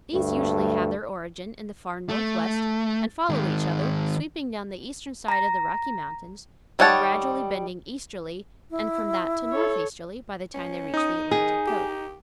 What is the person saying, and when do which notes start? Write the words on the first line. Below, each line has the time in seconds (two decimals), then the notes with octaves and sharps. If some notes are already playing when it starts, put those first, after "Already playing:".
These usually have their origin in the far northwest, and follow each other, sweeping down the eastern side of the Rocky Mountains and gradually bending easterly and from that to northeasterly by the time they reach the Atlantic coast.
0.14 D2 G2 A3
2.09 A3
3.29 D#3 G#3
5.28 A#5 A#6
6.79 D#3 G3 C#5 F#5 A5
8.71 E4
9.52 A4 C#5
10.54 C#4
10.94 D#4 D#6
11.31 D#3 G#4
11.67 G4